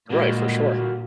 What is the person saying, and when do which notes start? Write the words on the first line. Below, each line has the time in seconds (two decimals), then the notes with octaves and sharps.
Right, for sure.
0.10 A#2 D3 G3 G#3 A#3 F#4